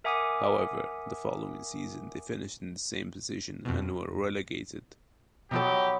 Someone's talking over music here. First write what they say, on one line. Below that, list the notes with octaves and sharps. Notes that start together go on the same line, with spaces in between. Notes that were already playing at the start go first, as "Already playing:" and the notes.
However, the following season they finished in the same position, and were relegated.
A#4 E5 F#5 G#5 D6 D#6
F2 B2
B2 F3 F#3 B3 D#4 G4 A4